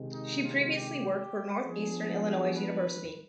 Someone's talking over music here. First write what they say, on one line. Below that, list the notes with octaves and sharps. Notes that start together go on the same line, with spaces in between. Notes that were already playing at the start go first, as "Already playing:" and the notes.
She previously worked for Northeastern Illinois University.
Already playing: C3 D#3 G#3
D#4
F4
G4
F3 B3 D4 G#4
B4